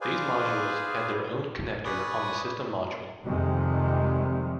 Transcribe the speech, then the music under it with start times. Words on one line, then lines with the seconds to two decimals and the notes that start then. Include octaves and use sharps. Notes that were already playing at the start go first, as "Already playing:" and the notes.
These modules had their own connector on the system module.
0.01 G#4 B4 C5 D5 F5 G#5
1.85 B4 D5 G#5 B5 C#6 D#6
3.23 F2 C3 D#3 G3 G#3